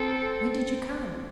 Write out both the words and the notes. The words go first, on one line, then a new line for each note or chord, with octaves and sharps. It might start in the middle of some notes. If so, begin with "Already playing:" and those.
"When did you come?"
Already playing: C4 A4